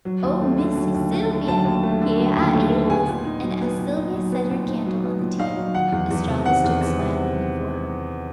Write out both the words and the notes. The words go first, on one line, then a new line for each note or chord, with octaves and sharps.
"Oh, Missy Sylvia, here I is," and as Sylvia set her candle on the table, Estralla stood smiling before her.
F#3
D#2
A3
D3
F#3
D#2
A3
D3
F#3 A5
D#2
A3
D3
F#3
D#2
A3
D3
B3 G#5
A#2
D#4
F#3
B3
A#2
D#4
F#3
B3
A#2
D#4
F#3
B3
A#2
D#4 F5
F#3
D#3 F#5
E2
E2
C3
D#3 F#5
E2
E2
C3